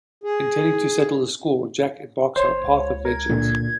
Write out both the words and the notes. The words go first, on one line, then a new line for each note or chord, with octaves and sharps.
Intending to settle the score, Jack embarks on a path of vengeance.
G#4
G1 C5 C#5
C#2
A#4 G#6
A#2 D3